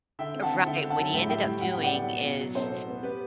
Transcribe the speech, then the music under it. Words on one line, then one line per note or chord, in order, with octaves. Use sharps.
Right. What he ended up doing is,
D3 E5 G5
C4
F#5 A5
D3
D3 E5 G5
D3
F#5 A5
F#3
A2 E5 G5
G3 E5 G5
A2
A2 F#5
G5
B3
D5 F#5
B3
B2
B2
F#3
B3 A4 C5
B2
B3
B3 G4 B4